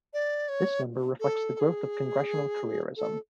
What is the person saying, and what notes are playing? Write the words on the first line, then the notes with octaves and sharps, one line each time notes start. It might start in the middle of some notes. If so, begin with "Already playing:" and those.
This number reflects the growth of congressional careerism.
D5
C#5
A4
A4
G#4
A4